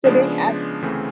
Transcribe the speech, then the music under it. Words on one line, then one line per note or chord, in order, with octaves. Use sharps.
sitting at
C#3 F3 G#3 B3 D4
D2 C#3 E3 A3 C4